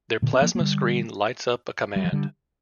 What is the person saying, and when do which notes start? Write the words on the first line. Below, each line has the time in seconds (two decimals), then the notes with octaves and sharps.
Their plasma screen lights up a command.
0.22 A#2 D3
0.33 C4
0.41 F3 A#3
0.55 A#3
0.60 D3 G3
1.96 G3
2.04 F3
2.12 D3 G3